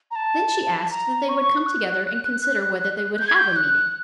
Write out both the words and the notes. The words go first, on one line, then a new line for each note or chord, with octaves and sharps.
Then she asked that they would come together and consider whether they would have a meeting.
A#5
A5
A#5
C#6
F#6
G6
G#6
G6
F#6